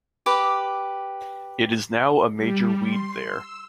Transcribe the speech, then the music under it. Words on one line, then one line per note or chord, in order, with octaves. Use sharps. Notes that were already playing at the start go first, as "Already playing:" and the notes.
It is now a major weed there.
G4 B4 D6
G3
C6
E6